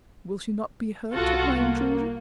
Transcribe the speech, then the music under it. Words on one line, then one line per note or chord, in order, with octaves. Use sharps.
"Will she not be hurt at my intrusion?"
C2 F4 F#4 A4 F#5
A#3